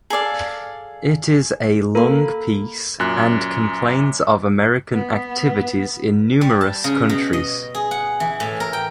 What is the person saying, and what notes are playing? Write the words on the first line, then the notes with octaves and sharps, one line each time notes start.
It is a long piece, and complains of American activities in numerous countries.
G#4 A4 D5 F5
A#3 A4 B5
F#2 A#2 F#6
B3
G3
A5
C#3
B2
D#5
G#4
F#5
E3
A2
A#4
G5